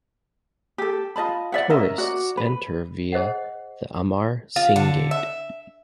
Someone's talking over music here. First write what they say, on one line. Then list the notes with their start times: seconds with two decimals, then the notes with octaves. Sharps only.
Tourists enter via the Amar Singh Gate.
0.78 G4 A4
1.16 F4 D#5 A5 B5
1.52 D5 E5 F#5
1.70 C#4 A#4 D#5 E5
1.98 F#4 D5
2.37 B4
3.12 G#4 C5 D#5 F#5
4.56 F4
4.76 D3
5.11 E5